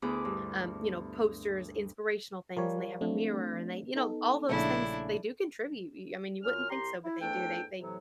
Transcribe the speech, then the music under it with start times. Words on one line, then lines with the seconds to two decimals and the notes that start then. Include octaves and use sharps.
um, you know, posters, inspirational things, and they have a mirror and they you know, all those things, they do contribute. You I mean, you wouldn't think so, but they do. They they
0.02 D2 B3 E4 G#4 D6
0.25 G2
2.57 F3 G3 A#4 C#5
3.01 A3 C4 D4
3.95 B3 D#4 A4
4.49 A#1 C#3 A3 D4 E4
6.43 F#2 C#4 F4 F6
6.69 C2 G4 A#5 C6
7.03 E4
7.20 E2 G#2 A3 D4 A4 G5
7.79 A2 C3 E3 F#3